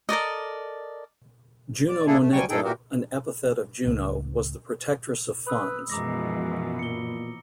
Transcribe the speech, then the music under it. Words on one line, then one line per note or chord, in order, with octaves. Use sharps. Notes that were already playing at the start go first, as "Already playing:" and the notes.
Juno Moneta, an epithet of Juno, was the protectress of funds.
A4 A#4 D5 D#5
D5
A#3 D4 E4 G#4 A4
A3
D2 F#3 G3 G5 G#5 C#6
G2 A#2 D#4 G#4 A4 G5
A#2 E3 F#4 G4 A#4
C#2 A2
B4 B5 D#6 E6
F#2 B2 E3 F3 G#3 A#5 D6 A#6
A#2 C#7 G7